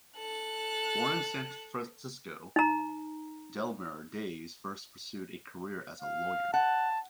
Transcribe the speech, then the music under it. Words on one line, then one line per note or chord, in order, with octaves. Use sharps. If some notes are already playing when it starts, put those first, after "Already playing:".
Born in San Francisco, Delmer Daves first pursued a career as a lawyer.
A4 F#6
D#4 A#5
F5
F#5 A5